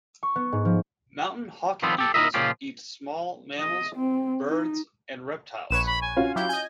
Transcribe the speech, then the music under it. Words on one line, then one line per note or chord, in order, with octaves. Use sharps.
Mountain hawk-eagles eat small mammals, birds and reptiles.
C#6
B3
G#2
F3
D#3 F3 G3 B3 C4
G4 A4
D#4 E4 G4 A#4 D#5 E5
A#2 C#3 F3 C#4 F4 G4
D#5
C4
D#4
A#1 B4 C#5 E7
B5
G#5
C#4 F4 F#4
F#3 E4 G4 G6
D#5 G#5